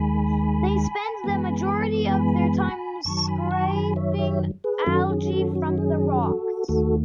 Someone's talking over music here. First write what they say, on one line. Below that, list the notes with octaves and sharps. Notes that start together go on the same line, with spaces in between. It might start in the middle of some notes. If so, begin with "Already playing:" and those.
They spend the majority of their time scraping algae from the rocks.
Already playing: D#2 D#3 G#3 G#5 B5
F#2 E3 G#3 B3
G#5 B5
G#5 B5
F#2 D#3 F#3 A5 C#6
A5
G#5 B5
A5 C#6
G#5 B5
C#5 E5
C#5 E5
G#4 B4
F#2 D#3 F#3 C#4 F#4 A4
G#4
F#4 A4
F#4
G#4
F#4 A4
D#2 D#3 A3 F#4 A4